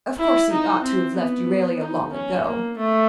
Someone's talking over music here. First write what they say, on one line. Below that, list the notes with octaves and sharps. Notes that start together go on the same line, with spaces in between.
Of course he ought to have left Euralia long ago.
E4
D#4
C4
B3
D#4
C#4
A#3
A3